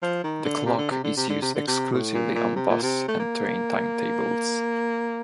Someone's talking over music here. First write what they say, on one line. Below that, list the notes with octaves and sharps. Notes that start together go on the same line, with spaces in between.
The clock is used exclusively on bus and train timetables.
F3
D#3
D3
C3
D3
C3
D3
C3
D3
C3
D3
C3
A2
A#2
A#2
C3
A#2
C3
A3
A#3